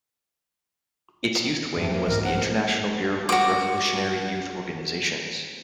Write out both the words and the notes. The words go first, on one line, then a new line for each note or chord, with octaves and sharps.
Its youth wing was the International Bureau of Revolutionary Youth Organizations.
F2 E3 F3 G4
A#3
B1 G#2 A#4
F3 C4 A#4 F#5
F#4 D6